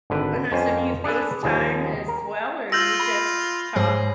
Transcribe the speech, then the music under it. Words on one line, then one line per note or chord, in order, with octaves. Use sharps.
Uh-huh, so do you FaceTime as well or you just ca talk?
G#1 D3 B4 G5
F2 C#4 C5 C#5 F5 G#5
D4 G#4 A4 B4
D#2 F3 G3 G#4
A#4
F4 E6 G6 A#6 F#7
B5
G#2 G#4 C5 C#5